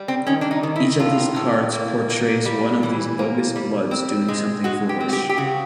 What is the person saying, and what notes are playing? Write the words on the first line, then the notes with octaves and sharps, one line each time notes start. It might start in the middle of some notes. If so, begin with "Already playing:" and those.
Each of these cards portrays one of these bogus bloods doing something foolish.
Already playing: G3
C4
D#3 C#4
D4
D#4
D#3
E4
A2 F4
A2
A#3
A#3
G3
E3
A#3
G3
C4
G#3
G#3 F#4
G4
C4
F#4
G4
G4
C#3 F#4